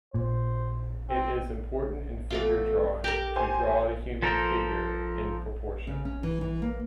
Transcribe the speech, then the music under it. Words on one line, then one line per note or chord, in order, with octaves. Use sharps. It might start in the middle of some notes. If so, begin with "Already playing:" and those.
It is important in figure drawing to draw the human figure in proportion.
A#2 C5
C4
E2 A3 F4
G4 A#4
C5 G#5
F3 A4 A#4 C5
C#3
C#4
E3
E3
A#3